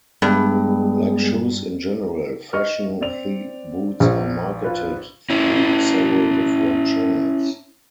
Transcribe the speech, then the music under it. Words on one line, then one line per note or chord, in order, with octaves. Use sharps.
Like shoes in general, fashion thigh boots are marketed through several different channels.
G2 G#3 B3 G#4
D#5 C#6 F6
C4 D5 F7
A#1
F4 B4
C#4 E4